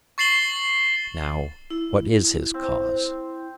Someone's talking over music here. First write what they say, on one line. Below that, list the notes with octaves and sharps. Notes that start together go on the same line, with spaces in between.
Now, what is his cause?
C#6 A6 C7 E7 F#7 G7
E4
C4